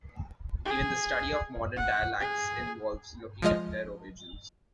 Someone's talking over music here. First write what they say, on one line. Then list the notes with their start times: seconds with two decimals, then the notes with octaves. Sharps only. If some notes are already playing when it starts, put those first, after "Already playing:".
Even the study of modern dialects involved looking at their origins.
0.65 G#4
1.76 F#5
2.20 G#4
3.42 F3 G#3 F4 D#5 F6